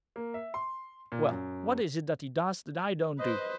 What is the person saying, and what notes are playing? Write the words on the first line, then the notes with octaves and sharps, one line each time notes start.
Well, what is it that he does that I don't do?
A#3
E5
C6
A#2
F#2
B4 C5 D#5